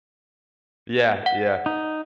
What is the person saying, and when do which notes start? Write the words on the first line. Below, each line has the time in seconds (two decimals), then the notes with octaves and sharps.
Yeah, yeah.
1.26 F#5
1.66 D#4